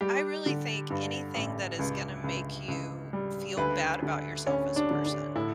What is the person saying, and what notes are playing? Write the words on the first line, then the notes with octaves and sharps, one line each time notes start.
I really think anything that is gonna make you feel bad about yourself as a person.
G3 G4
D3
G2
A1
C#2
C#2
C#2
G3
D2 B4
D3
D2 C#4
D4
D3
D4
A2 E4